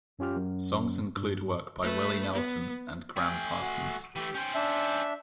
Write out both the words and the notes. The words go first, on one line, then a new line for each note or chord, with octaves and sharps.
Songs include work by Willie Nelson and Gram Parsons.
F#2 C#4 F4 G4 F6
F#2
G2
A3 B4
B3
A3 G5 G#5
F#4
E3 A3 G4
C#4 C5 G5
D4 E5